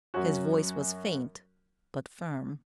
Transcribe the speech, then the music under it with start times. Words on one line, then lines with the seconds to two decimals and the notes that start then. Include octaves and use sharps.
His voice was faint but firm.
0.14 F#2 F#3 C#4 F#4